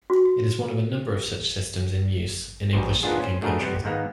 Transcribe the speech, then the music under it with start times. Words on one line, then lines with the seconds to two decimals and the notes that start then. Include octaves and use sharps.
It is one of a number of such systems in use in English-speaking countries.
0.10 F#4
2.73 A#1 B2 C5
3.03 A#2 D#3 B3 D4 F4 G#4
3.20 C#4 C5
3.42 A3 D4 F#4 G#4 A#4 B4
3.60 C3 G3 B3
3.84 G#2 D#3 A#3 B3